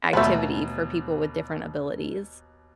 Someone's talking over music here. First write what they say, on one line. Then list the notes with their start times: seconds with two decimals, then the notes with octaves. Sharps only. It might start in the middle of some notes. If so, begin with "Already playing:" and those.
activity for people with different abilities.
0.13 D#2 B2 A3 B3 E6